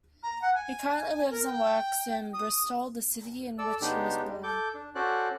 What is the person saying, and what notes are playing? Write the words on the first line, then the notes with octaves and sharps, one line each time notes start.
He currently lives and works in Bristol, the city in which he was born.
A#5
F#5
G#5
A#4
G5
D#6
A4 D5 E6
C#3 G#3 B3 D4 D#4 G4
G3 G#3
A4 D6 G6
D4
C#4 F#4 A4 C5 D5 F#6